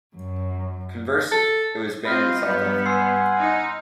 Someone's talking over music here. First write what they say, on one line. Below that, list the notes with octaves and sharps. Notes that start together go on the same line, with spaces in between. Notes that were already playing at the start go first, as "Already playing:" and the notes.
Conversely, it was banned in South Africa.
F#2
A4
C4 F4 D#5 B5 F6 G6
G2 F#3 B3 G6
F#5 G#5 C6 E6 C7
D#4